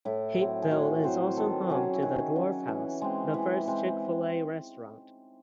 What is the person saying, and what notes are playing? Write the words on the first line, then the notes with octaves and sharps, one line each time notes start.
Hapeville is also home to the Dwarf House - the first Chick-fil-A restaurant.
A2 E4
F#3 C4
G#4
A2 F#4
F#3 C4 C5
D#3 A4
F#3 C#4 G#4
E4
D#3 F#4
F#3 C#4
E3
G#3 C4
E3
G#3 C4